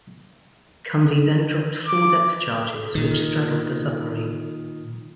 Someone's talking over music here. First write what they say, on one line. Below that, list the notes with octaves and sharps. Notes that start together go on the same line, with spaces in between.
Cundy then dropped four depth charges which straddled the submarine.
D6
A#2 D#3